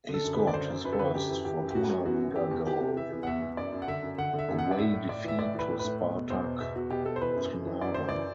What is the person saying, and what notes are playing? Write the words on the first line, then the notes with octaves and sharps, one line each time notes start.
He scored his first Fortuna Liga goal in an away defeat to Spartak Trnava.
D3
A4
F#2
B4
D3
D5
F#2 C5
F#2
F#2 B4
A4
D3 B4
F#2 G4
E3
E3 G4
F#2
G4
F#2 F#4
F#2
E3 F#4
F#2
E3 G4
E2
E3 G4
C3
E3 E5
E3
F#5
E2 E5
E2
F#2 D5
F#2
F#5
D3 E5
F#2
D3 F#5
D3
E5
F#2
F#5
F#2
D5
A2 E5
A2
A2 D5
E3 E5
A2 D5
E3 B4
A2
B4
A2
E2
B2
E2 C5
B2
E2 E5
E2 F#4
B2 G4
B2 A4
C5
E3 B4
F#2
F#2
E3
F#2 D5
F#2 C5
E3 D5